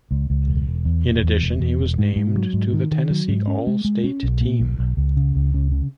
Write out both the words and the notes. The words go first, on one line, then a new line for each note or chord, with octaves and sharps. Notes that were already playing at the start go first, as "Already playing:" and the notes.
In addition, he was named to the Tennessee all-state team.
C#2
C#2
E1
E1
E2
E1
E2
E1
E2
E1
G#2
G#2
F#3
G#2
D#3
D#3
F#3
G#2
C#4
G#3
G#3
C#4
B1
A#2
B1
B1
C#2
C#3
C#2
C#3
C#3